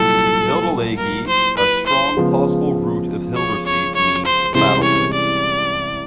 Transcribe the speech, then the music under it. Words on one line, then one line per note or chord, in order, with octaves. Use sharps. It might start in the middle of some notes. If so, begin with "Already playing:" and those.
"Hilde-Laege" a strong plausible root of Hildersley means "Battle place".
Already playing: C2 A#2 F#3 A4
A#4
C5
B4
C5
C#3 F3 G#3 B3
C#5
C#5
C#5
C5
C2 C3 E3 G#3 C#4 C5
C#5
D5